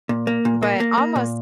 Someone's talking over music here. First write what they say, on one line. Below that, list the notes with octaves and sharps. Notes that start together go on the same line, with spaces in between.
But almost
A#2
A#3
A#2
A#3
A#3
A#3
A#2